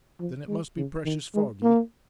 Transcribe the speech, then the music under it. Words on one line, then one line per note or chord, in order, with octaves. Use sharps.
Then it must be precious foggy?'
F3
G#3
C#3
D#3
G#3
A#3